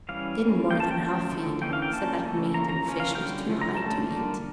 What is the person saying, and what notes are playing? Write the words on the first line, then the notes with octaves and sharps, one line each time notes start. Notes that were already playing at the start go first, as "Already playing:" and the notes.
Didn't more than half feed, said that meat and fish was too high to eat.
E3 G3 C#4 F5
E3 G3 C#4
F3 A#3 C#4 G5
A5
G5
F3 A3 C#4
D3 F3 A3
E3 A#3 C#4 G5
F5
G5
F3 A#3 C#4 A5
C#3 E3 A3
F3 A#3 C#4 A#5
A#5
C#3 F3 A#3 C#4
F5
D3 G3 C#4 G5
C#3 F3 A3
A#5
D3 A3 C#4 A5
D3 G3 A#3